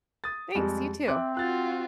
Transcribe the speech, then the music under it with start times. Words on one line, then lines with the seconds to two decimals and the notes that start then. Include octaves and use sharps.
Thanks you too.
0.24 D#6 A6
0.55 F2 G3 G#3
1.08 C4 E5 D6 F#6
1.37 F4 F#4 F#6 A6